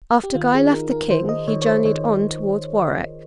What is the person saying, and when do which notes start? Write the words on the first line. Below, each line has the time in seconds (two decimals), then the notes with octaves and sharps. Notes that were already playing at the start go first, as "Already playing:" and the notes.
After Guy left the King, he journeyed on towards Warwick.
0.24 G4
0.35 D#3 F4
0.54 G#4
0.73 D#4 A#4
0.91 A#4
1.10 D#3 C5
1.29 D#5
1.48 D#3 C#5
1.62 C#5
1.66 C5
1.85 D#3 C#5